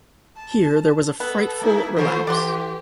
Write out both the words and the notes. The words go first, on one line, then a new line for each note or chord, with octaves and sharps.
Here there was a frightful relapse.
A5
B3 A4
A3 D#4 E4
D#3 F3 A3 C5
E3 G4 D5 F#5 C6